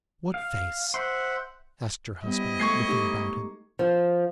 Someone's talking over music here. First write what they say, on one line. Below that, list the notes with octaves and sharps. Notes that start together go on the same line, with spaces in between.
'What face?' asked her husband, looking about him.
F5
C5 E5 F#5 C6
G3 B3 C4 E4 D#5
G#3 A3 C#6 G#6 C7
A3 D#4 G4
F3